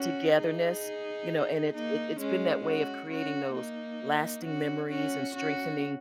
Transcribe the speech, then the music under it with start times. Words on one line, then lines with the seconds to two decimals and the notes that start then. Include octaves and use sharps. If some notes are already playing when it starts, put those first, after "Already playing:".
togetherness, you know, and it it it's been that way of creating those lasting memories and strengthening,
Already playing: C#4 F#4
0.38 D#4 G#4
1.74 A#3 D#4
2.19 G#3 C#4
2.64 C#4 F#4
3.10 C#4 F#4
3.55 A#3 D#4
4.45 C#4 F#4
4.90 C#4 F#4
5.35 C#4 F#4